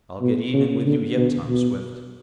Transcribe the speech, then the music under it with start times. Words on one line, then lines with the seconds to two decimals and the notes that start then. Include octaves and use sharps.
"I'll get even with you yet, Tom Swift!"
0.21 B2
0.53 C#3
0.85 D3
1.17 B2
1.48 B2